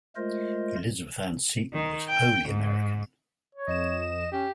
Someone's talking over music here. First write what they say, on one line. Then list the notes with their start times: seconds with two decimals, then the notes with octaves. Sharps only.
Elizabeth Ann Seton was wholly American!
0.16 G#3 A3 F4 A#4 C5 D#5
1.73 D#3
2.09 G5
2.49 G#2
3.55 C#5
3.68 F2 D#5 E7
4.32 C#4 G4